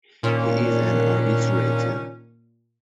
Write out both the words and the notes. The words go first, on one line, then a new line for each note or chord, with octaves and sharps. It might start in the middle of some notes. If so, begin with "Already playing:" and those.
He is an arbitrator.
A#2 D#3 C#4 D4